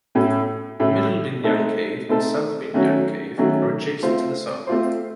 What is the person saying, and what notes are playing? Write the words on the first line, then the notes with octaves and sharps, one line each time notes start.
Middle Binyang Cave and South Binyang Cave are adjacent to the south.
A2 A3 C#4
A2 A3 C#4
A3 C4 D#4 A4
A3 C4 D#4 A4
D#3 F#3 A3 C#4 F#4
D#3 F#3 A3 C#4 F#4
A3 C4 F4 C5
A3 C4 F4 C5